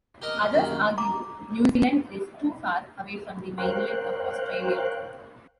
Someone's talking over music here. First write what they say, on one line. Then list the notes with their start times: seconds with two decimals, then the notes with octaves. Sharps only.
Others argue New Zealand is too far away from the mainland of Australia.
0.22 G4 A#4 D#5
0.53 F#2 D#3 A#3
0.98 A#5 D6
3.58 A#4 C5 C#5 F5 G5 F#6